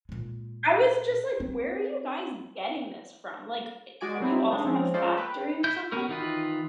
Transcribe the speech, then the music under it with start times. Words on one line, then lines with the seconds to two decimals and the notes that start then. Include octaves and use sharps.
I was just like, "Where are you guys getting this from?" like, it "Are you all from a factory or something?"
0.09 A#2 G#3
1.40 C4
4.01 G#3 F#4 D5 G#5 D7
4.20 F#3 G3 C4 D#4 E4
4.50 G#3 D4 D#4
4.65 F3 G#3 C4 C#4
4.94 G#3 C#4 F4 A4 C5 D5
5.17 B4 G5
5.64 E4 G6
5.92 B3 C#4 A#4
6.09 D#3 E3 D#4 F4 B4